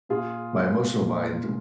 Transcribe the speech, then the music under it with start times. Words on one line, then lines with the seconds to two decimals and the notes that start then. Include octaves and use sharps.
my emotional mind
0.09 A#2 F4 G#4
0.55 G#3
0.99 A#2
1.44 G#3